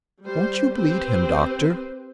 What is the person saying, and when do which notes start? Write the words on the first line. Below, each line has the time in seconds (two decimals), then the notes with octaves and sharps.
Won't you bleed him, doctor?
0.22 G3 C5
0.74 C4 G4 B4 C5